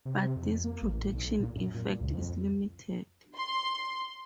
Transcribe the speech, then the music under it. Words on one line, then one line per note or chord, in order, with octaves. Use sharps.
But this protection effect is limited.
C3
F2
A#3
A1
B1
A#2
F#2
A#2
C#2
F2
C6